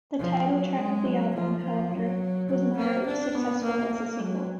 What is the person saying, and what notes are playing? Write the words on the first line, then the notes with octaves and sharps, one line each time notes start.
The title track of the album, however, was moderately successful as a single.
F3
F#3
G#3
F#3
F3
F3
F#3
F#3
A#3
D4
B3
A#3
A#3
F#3